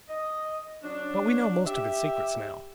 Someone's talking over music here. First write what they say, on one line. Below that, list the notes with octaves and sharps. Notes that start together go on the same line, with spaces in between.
But we know most of its secrets now.
D#5
F#3 C#4 D4
G4 E5